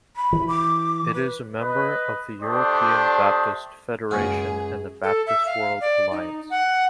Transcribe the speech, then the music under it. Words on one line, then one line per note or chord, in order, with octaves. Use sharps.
It is a member of the European Baptist Federation and the Baptist World Alliance.
B5
E3
D6
B4
B4 D#5
A3 D4 G4 C5 D5 D#6
C#2 F#2 C#3 F#4 G#4 G#5 C#6 F6
A4
E5
F5
D5
D#4
F#5